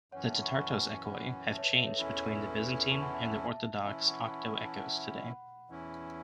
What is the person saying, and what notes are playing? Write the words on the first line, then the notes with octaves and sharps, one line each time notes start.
The tetartos echoi have changed between the Byzantine and the Orthodox octoechos today.
F#2 E3 C#4 C#5 F#5
E5 A5
F#5 B5
C#6
F#5 B5
A5 C#6
F#5 B5
E5 A5
C#5
B4 E5
B4 E5
A4 C#5
E2 E3 C#4 E4 A4 C#5
A4
B4
B4
A4
B4
A5 C#6
F#5 B5
E5 A5
E5 A5
E3 C#4 E4 E5 A5
C#6
F#5 B5
A5 C#6
F#5 B5
E5 A5
F#5 B5
E2 E3 C#4 E4